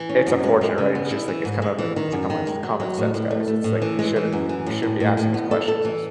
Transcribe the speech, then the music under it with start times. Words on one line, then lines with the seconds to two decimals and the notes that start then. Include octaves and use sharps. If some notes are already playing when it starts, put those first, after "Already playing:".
It's unfortunate, right? It's just like it's kind of like, it's a come on, it's just common sense, guys, it's like, you shouldn't you shouldn't be asking these questions is
Already playing: E3
0.09 C#4
0.26 F#2
0.44 G#3
0.61 G#3
0.78 C#3
0.95 B3
1.11 E4
1.28 E3
1.45 G#2
1.62 G#3
1.79 E3
1.96 D#3
2.12 F#2
2.30 D#3
2.47 G#3
2.63 F#3
2.80 F#3
2.98 A2
3.14 A2
3.31 A3
3.48 A3
3.64 A2
3.82 E3
3.99 G#3
4.16 E3
4.33 F#2
4.49 E3
4.66 A2
4.83 A2
5.00 A2
5.17 A2
5.34 B3
5.51 A4
5.68 A4
5.85 E3